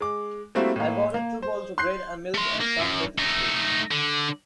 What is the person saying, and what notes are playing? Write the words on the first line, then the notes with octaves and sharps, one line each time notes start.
I've ordered two bowls of bread-and-milk and some health biscuits.
G#3 D6
G3 A3 A#3 C4 E4 F#4
A2 A#3
A#3
C5
C6 F#6 G6 C7
A3 C6
A#3
F#2
A3 D#4
D3